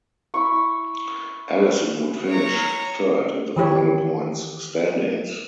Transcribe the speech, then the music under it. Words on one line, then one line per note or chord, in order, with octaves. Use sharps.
Allison would finish third in the final points standings.
E4 C#6
C#5 A#5
D#3 E3 G4 C#5